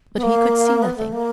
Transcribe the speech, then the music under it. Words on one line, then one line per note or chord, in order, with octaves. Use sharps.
But he could see nothing.
B3
A#3
B3
A3
A#3